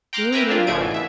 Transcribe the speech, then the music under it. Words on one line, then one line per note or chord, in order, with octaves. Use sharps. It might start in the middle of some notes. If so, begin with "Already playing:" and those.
You need not.
G5 A#5 C6 D6 F6 F#6
A#4 B4 E5 G5 G#5 A#5
A#3 C4 D4 F4
G#1 C#3 A3 G#4 G#6 D7
B2 E3
E5